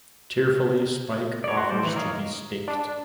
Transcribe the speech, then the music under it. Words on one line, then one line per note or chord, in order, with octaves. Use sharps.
Tearfully Spike offers to be staked.
C#5 D5
F#4 C6
G3 C5 D5
D#3 E3
A#4 C#5 D#5 F5
D4